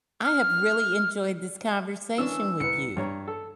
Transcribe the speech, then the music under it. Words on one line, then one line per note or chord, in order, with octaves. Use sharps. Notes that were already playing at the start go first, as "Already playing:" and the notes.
I have really enjoyed this conversation with you.
F6
E3 C#4 D4 E6
C2 B4 C#7
G2 C#5 A#5
A4